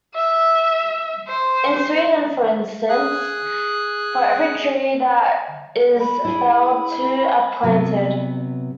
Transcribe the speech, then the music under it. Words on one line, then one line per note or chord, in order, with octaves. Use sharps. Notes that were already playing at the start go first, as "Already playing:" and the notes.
In Sweden for instance for every tree that is felled two are planted.
E5
C5
G#4 F#6
B5
E4 G#4
C3 F#3 B3